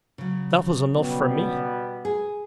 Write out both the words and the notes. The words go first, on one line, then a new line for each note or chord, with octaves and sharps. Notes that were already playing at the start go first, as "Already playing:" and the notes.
'That was enough for me.
C#3 F#3
B2 G3 B3
G#4